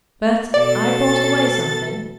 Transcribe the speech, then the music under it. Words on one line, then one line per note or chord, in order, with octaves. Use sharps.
But I brought away something.'
B2 A4 D5 A6